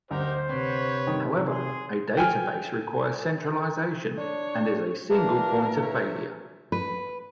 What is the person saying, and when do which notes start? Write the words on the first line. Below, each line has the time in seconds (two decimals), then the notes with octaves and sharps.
However, a database requires centralization and is a single point of failure.
0.11 D2 D#4 G4 A#4 C5
0.49 C3 C4 B4 C#5
1.07 D#3
1.47 G#4 C6
2.17 G5 G#5 F6
4.18 D4 C#5
5.10 E3 A#3 D4 A#4
5.82 C#5 E5
6.72 B4